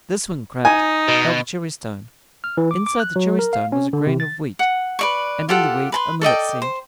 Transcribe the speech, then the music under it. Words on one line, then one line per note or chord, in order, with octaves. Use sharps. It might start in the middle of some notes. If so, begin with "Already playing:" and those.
This when cracked held a cherrystone, inside the cherrystone was a grain of wheat, and in the wheat a millet-seed.
D#4 G#5
B2
F6
E3
D6
D6
F#6
F#3
A#4
F5
C#4
D3
C3
A6
F#5
B4 D5 C#6
F4 G4 A4 F#5
B4 A5 C6
A4 D5 D#5 G5
C5